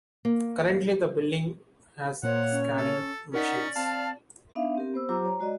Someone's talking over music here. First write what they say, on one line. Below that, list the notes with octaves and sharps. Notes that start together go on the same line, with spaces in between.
Currently, the building has scanning machines.
A#3
A#2 A#3 C5 C#5 F#5
C#4
A4
C#4 D#4 A#4 D5 F#5 B6
C4 F5 A5
B3 D4 D#4 E5 F5
C4 G4 A#4
B3 C5 E6
F#3 F4 G4 C5 A#5 D6
C#5 A#5
G#3 F#4 D5 D#5